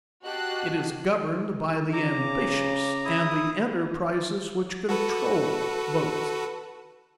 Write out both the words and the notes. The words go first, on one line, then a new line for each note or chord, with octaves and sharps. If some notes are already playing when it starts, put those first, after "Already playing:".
It is governed by the ambitions and the enterprises which control votes.
F#4 G4 D#5 A5 F#6 C7
C#3 A#5 D6
E4 D#6
F#4 A4 B4